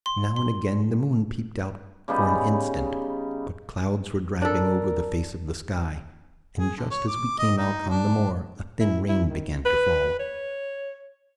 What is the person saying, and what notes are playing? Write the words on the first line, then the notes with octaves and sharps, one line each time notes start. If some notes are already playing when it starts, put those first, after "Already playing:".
Now and again the moon peeped out for an instant, but clouds were driving over the face of the sky, and just as we came out on the moor a thin rain began to fall.
C6
C6
C#3 G3 B3 D#4
D4 A4 A#4
G#4
D3
C#5
D6
D#5
D#4
D4
E4
E4
D#3
B4
C#5